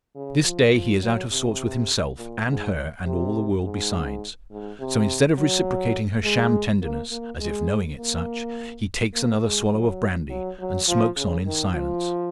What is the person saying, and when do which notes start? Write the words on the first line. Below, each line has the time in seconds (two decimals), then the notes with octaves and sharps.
This day he is out of sorts with himself, and her and all the world besides; so instead of reciprocating her sham tenderness--as if knowing it such--he takes another swallow of brandy, and smokes on in silence.
0.15 C#3
0.44 F3
0.73 F3
1.02 F#3
1.32 C3
2.18 A#2
2.47 G#2
3.06 C3
3.63 G#2
4.51 G#2
4.80 C3
5.38 F#3
6.24 G#3
6.82 A#3
7.11 A#3
7.40 G#3
7.98 A#3
9.14 A#3
9.42 G#3
9.72 F#3
10.30 F#3
10.59 F#3
10.88 F3
11.16 C#3
11.46 D#3
11.74 F3